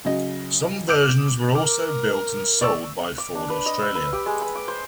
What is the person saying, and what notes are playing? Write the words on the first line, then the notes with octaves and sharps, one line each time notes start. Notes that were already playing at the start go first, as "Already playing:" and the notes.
Some versions were also built and sold by Ford Australia.
C#3 F#3 D#5
D6 G6 D7
A#4 D6
D5 C#6 E6
D6
D4
B4
D#5
E6
B4
G4
G#3
B5
D6
C5